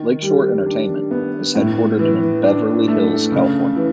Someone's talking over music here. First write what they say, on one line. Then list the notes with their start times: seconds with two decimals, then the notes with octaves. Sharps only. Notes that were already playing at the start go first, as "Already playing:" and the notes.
Lakeshore Entertainment is headquartered in Beverly Hills, California.
Already playing: D#3
0.22 G3
0.66 D4
1.11 B3
1.55 A2
1.99 E3
2.44 D4
2.88 A3
3.32 C#3
3.76 E3